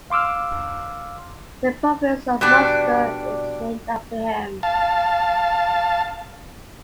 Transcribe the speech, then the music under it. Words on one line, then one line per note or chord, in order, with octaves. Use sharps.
The province of Munster is named after him.
F5 C6 D6 E6 F6
B2 G3 D4
F5 A5